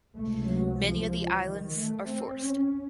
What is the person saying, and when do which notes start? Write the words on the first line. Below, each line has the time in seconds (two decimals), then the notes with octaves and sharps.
Many of the islands are forested.
0.15 C#2 C3 A3
0.48 F#3
0.80 F3
1.45 D#3
1.78 A3
2.10 C4
2.43 C#4